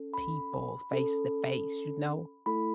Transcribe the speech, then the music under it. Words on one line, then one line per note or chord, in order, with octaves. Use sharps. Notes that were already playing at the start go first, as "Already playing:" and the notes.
people face to face, you know?
Already playing: C#4 A4
B5
C#4 A4
A3 E4 A4 B5